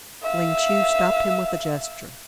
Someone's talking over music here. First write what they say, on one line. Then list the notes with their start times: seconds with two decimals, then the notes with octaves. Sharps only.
Ling Chu stopped him with a gesture.
0.22 E5 F5